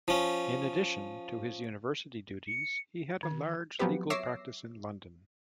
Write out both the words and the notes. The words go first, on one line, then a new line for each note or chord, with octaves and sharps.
In addition to his university duties, he had a large legal practice in London.
F3 C#4
C#7
D#3
F3 F#3 B3 C4 G4 B4
C#5 E5 D6 E6 A#6 C7